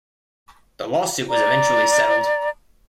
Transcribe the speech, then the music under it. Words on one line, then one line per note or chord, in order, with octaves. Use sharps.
The lawsuit was eventually settled.
D5 A#5